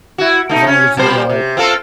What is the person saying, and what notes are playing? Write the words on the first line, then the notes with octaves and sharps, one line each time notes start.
as long as you like
E4 F#4
A3 D#4
C#4
A#2 G3 C5
C3
C4 F4 A4